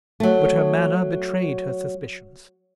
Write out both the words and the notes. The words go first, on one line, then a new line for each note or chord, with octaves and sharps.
But her manner betrayed her suspicions.
F#3 A3